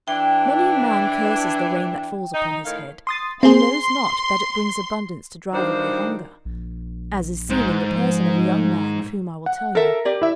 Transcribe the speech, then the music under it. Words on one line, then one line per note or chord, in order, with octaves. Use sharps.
Many a man curses the rain that falls upon his head, and knows not that it brings abundance to drive away hunger; as is seen in the person of a young man of whom I will tell you.
E3 D4 G5
D#4
A2 D#3 F5
C6 D#6 A6
C4 G#4 C6
D#3 G3 D4 F4 F#4 C5
A#1
G#2
F3
F#5
A4 A#4 E5
G4 D5
E4 E5